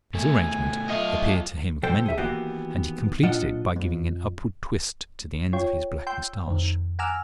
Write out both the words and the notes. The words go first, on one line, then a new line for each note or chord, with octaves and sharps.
This arrangement appeared to him commendable, and he completed it by giving an upward twist to the ends of his black moustache.
B2 A3 G#5
F#3 A3 F4 D#5
B2 F3 A4 C5 G5
G#4 E5
D#3 E3 A#3 B3 F#4 G4
B1 A#2 D4 F4 D#5 F#5
F2
F4 C#5 G5
G5 C6 E6 G6
F2 D#3
F#5 G#5 A#5 D6 E6 F6